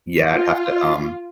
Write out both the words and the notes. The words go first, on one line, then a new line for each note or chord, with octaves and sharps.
yeah, I'd have to, um,
F4